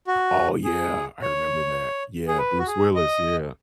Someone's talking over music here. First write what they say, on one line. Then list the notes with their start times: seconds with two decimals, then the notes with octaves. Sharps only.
Oh, yeah, I remember that. Yeah, Bruce Willis, yeah.
0.07 F#4
0.65 G#4
1.22 C#5
2.28 G#4
2.38 B4
2.59 F#4
2.67 G#4
2.95 D#5